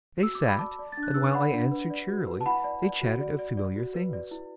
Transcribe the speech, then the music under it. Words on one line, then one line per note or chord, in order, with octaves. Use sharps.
They sat, and while I answered cheerily, they chatted of familiar things.
F#4 E6
D6
D5
B5
D5 A5 D6
D5
A6
D4
F#6
B4 E6
D6
D5 F#5 B5
D4
B4
D5
F#4
B4
A5
E4 F#5 B5
D5
D5
F#4
D5
D5
D5
F#4
B4
D5
E4